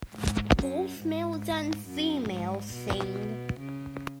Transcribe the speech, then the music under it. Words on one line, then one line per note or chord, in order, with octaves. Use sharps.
Both males and females sing.
G#2
F#2
G#2
F#2
G#2
B2
C#3